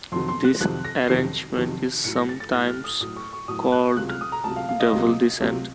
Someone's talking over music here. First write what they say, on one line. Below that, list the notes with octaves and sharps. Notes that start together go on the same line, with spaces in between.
This arrangement is sometimes called double descent.
F2 C3 D#3 F#3 C6
C6
F#6
F2 C3 D#3 F#3 F#6
A#6
F2 C3 D#3 F#3 C7
F2 C3 D#3 F#3
A2 F#3 C#7
A#6
A6
A6
A2 F#3 F#6
F6
D#6
A2 F#3 D#6
C#6
C#6
A2 F#3 D#6
F#6
C#2 C3 F#3 F#6
F6
D#6
A#5
C#2 C3 F#3 A5
F5
F5
D#5
C#2 C3 F#3
C#2 C3 F#3